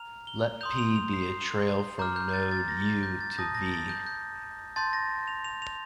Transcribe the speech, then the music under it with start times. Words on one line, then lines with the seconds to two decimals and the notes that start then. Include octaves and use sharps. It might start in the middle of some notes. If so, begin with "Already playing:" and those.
Let "P" be a trail from node "u" to "v".
Already playing: A#5 F6 F7
0.27 G7
0.61 C6 D#6 G6 F7
0.79 F7
0.96 F7
1.14 C7
1.99 A#5 D6 F6 G6
2.16 G6
2.29 G6
2.33 A6
2.51 A6
2.68 A#6
2.86 A6
3.03 G6
3.21 A6
3.37 A5 D#6 G6 A#6
3.55 A#6
3.72 A6
3.89 G6
4.06 G6
4.76 A5 C6 G6 A6
4.93 A#6
5.28 F7
5.44 F7
5.62 F7